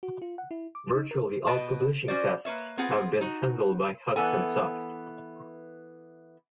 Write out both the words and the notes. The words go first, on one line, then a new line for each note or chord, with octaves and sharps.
Virtually all publishing tasks have been handled by Hudson Soft.
F#4
F4
F#5
E4
D6
D#4
A#4
B2 B3 B4 D#5 G5 A5
C#4 F#4 C5 D5
A#3 B4 C#5 E5
B3 C4 F4 G#4 F#5
D#4 F#4
E3 B3 A4 G#5